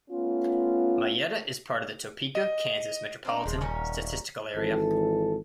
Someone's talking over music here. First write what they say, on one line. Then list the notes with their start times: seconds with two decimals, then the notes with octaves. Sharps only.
Mayetta is part of the Topeka, Kansas Metropolitan Statistical Area.
0.11 A3 B3 C#4 F4
2.35 D#5
3.25 C4 D4 D#4
3.46 D#1 F3 G#3
3.61 D#3 G3 C#4
4.56 G#1 E3 A4